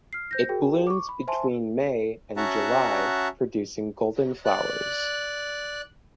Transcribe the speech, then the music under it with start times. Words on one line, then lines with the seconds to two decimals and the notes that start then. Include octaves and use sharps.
It blooms between May and July producing golden flowers.
0.13 F6 C7
0.31 C5 G6 A#6
0.49 F#4 G#4 A#4 G5
0.87 C#6 D6
1.09 B5
1.28 C5 E5 G#5 A5 C6
2.37 C#4 F#4 E5 F#5 A5 A#5
4.45 D5 F#6